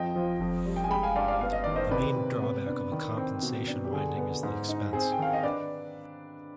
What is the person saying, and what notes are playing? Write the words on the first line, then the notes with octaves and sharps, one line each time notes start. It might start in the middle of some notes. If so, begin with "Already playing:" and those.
The main drawback of a compensation winding is the expense.
Already playing: F2 D#5 G5
F3
F2
G3
G5
G#5
G#3 G5 B5
F5 G#5
G2 D5 F5
D5 F5
B3 F5
D#5
D#3 D5
C5 D#5
C3 B4 D5
C3
B3
D4
D#3
C4
B2
D4
G4
D3 G#4
B3
G#2
D#4
C4 G#4 C5
G5
D#3 F5
D#5
D4 B4 D5